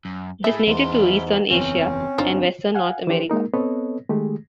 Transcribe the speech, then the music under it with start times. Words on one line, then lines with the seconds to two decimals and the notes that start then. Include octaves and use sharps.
It is native to eastern Asia and western North America.
0.05 F#2
0.44 A3 E4 G#4 E5
0.67 E2 G#2 E4 C6
1.51 F#1 E2 C4 C#4
2.18 G1 D4 D#4 F4 C5
2.75 F5 F#5 G#5
3.07 E3 F3 D4 G4 C5
3.30 G#3 A#3 D#4 A#4
3.54 B3 C4 A4 B4 C#5 D#5
4.09 D#3 G#3 A3 G4 G#4